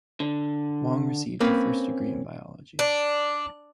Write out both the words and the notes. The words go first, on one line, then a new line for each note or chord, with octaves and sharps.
Wong received her first degree in biology.
D3
A#3 C4 C#4 B4
D4